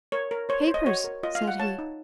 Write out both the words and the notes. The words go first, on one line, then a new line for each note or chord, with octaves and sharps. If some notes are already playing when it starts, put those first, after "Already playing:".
"Papers!" said he.
A#4 C#5
A#4
C5 C#5
C5
D#5
F#4 C#5
A#4
F4 D#5
F5
F4
F#5
C#5 A5
D#4